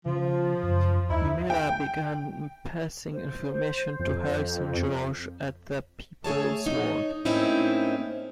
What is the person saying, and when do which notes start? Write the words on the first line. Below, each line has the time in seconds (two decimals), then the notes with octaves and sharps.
Miller began passing information to Harrison George at the "People's World".
0.06 C#3 F3
0.63 F#2
1.10 D#2 D#4 E4
1.50 G5
3.13 C5
3.99 F2
6.24 A3 G#4 C#5 A5
6.66 D#4 C#5
7.25 A2 A#3 C4 C#4 D#4 E4